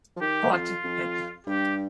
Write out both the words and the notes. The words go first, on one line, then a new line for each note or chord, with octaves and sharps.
Huot et.
F3
D#3 G4
F2 F4
F2
G2 G4